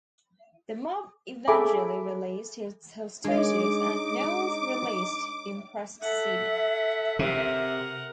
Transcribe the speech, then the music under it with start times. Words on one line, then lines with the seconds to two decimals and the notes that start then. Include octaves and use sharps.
The mob eventually released its hostages and Knowles released the impressed seamen.
1.48 G#4 A4 E5 G#5 B5 D6
3.24 G#3 D4 D#4 C#5 D6
6.01 A4 E5 F#5
7.19 C3 A#4 F#5